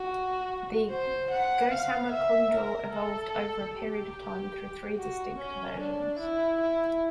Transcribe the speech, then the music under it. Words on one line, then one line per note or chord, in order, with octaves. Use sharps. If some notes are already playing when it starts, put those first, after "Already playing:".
The Gossamer Condor evolved over a period of time through three distinct versions.
Already playing: F#4
C5
F#5
F5
E5
A#4
A4
G4
F#4
C#4
D4
E4
E4